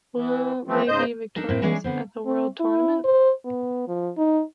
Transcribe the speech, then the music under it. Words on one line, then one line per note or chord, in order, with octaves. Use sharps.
Will they be victorious at the world tournament?
E3
E3 F3 A3 C4
G#2 C#3 C5 D#5 G6
D4 D#4 A4 A#4
A2 C4
E3 G#3 C#4 D4 G#4 D5
D3 B3 C4
C4
E4
C5
B3
F3
D#4